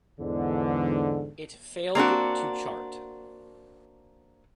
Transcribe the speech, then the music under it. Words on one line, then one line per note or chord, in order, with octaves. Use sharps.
It failed to chart.
E2 G#2 D3
A#3 C4 D4 F#4